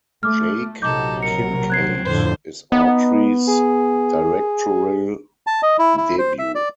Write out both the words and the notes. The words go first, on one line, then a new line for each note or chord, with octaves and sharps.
Jake Kincaid is Autry's directorial debut.
A3 D6 F6
A#1 C3 F#3 D#4 A4 D6 G6
A#4 C#7
C4 F#6 G#6 C7
F2 A2 D3 C5
B3 D#4
G#4
A5
D#5
E4
E4
C5
E5
D5